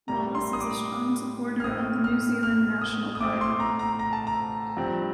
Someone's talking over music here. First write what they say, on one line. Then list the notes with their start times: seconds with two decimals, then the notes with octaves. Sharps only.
Wallis is a strong supporter of the New Zealand National Party.
0.08 A2 G3 A#3 A#5
0.35 C6
0.53 D#6
0.61 D6
1.60 F6
1.64 A2 A3 C4 D#6
2.04 F6
2.43 F6
2.81 D#6
3.15 D#6
3.21 A2 A3 C4 D6
3.41 C6
3.60 A#5
3.79 A#5
3.99 A#5
4.13 A5
4.27 A#5
4.77 G2 F3 C4